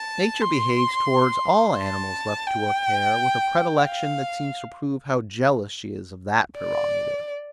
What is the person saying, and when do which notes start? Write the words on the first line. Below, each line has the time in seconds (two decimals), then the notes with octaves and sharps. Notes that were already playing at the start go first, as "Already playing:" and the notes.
Nature behaves towards all animals left to her care with a predilection, that seems to prove how jealous she is of that prerogative.
Already playing: A5
0.42 C6
1.79 A5
2.47 G5
3.84 F5
6.59 D5